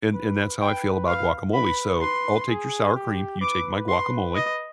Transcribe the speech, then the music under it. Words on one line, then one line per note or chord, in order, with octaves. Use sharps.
And and that's how I feel about guacamole. So, I'll take your sour cream, you take my guacamole,
B4
B4 G5
F5
B4 B5
B4 C6
G#4
G4
B4 D6
C6
D#5